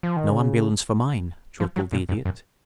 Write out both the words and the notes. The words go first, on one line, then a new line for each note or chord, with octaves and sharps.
"No ambulance for mine," chortled the Idiot.
F3
D#3
C#3
F3
F#3
A#2
F#2
F#2